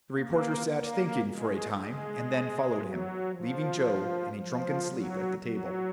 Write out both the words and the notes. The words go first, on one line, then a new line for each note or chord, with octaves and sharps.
The reporter sat thinking for a time and then followed him, leaving Joe in a drunken sleep at the table.
A#3
A#3
G#3
G#3
F#3
F3
F3
F#3
F#3